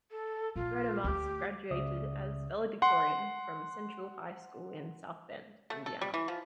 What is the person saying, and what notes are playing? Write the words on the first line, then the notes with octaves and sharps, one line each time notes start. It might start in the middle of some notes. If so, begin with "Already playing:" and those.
Brademas graduated as valedictorian from Central High School in South Bend, Indiana.
A4
A#1 F4
D2 G4
C#2 C#3 D5 E5 D#6
F#5 C6
A3
A4
G3
E3
F3